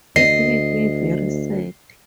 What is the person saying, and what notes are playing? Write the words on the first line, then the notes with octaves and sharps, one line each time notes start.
It made me very sad.
D2 D#5 C7